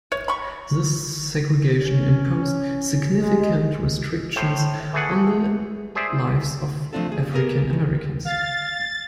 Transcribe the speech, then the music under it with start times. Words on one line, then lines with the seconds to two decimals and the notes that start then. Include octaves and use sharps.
This segregation imposed significant restrictions on the lives of African-Americans.
0.12 C#5
0.28 B5 C#6
1.81 C#4
3.19 G#3
4.36 A2 C5
4.93 E3 A3 G#4 F#5
5.95 G#4 C5 D5 E5
6.93 F3 A3 C4 D4 F4 A4
7.12 G#4
7.33 A#3 B3 G#4 A#4
7.70 D#3 G#3
8.25 F5 A6